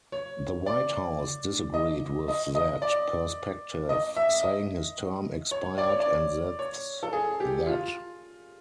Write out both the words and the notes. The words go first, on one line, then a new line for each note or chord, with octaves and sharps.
The White House disagreed with that perspective, saying His term expired and that's that.
C#5
D5
D#5
D#5
D#5
D5
D#5
E5
D#5
C#5
D5
C#5
D5
C#5
A4
G#4
G4
F4